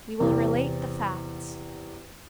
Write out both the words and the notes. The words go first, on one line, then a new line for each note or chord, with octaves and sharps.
We will relate the facts.
E2 C3